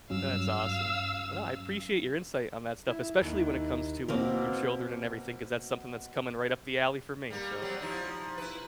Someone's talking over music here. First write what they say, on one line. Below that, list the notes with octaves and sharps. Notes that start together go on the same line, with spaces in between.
That's awesome. Well, no, I appreciate your insight on that stuff, especially when it comes to, um, your children and everything, 'cause that's something that's coming right up the alley for me, so
G2 F#3 C#4 F5 E6
E4
D#2
B2 A#3 C4 A#4
G3 A#3
F#3 G3 C4
F3 D#4 E4
E4 B4